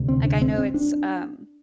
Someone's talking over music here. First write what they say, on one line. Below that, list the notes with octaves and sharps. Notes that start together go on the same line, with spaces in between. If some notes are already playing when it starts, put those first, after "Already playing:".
Like I know it's, um
Already playing: D2 C3
C4
D4
C4
C4
D4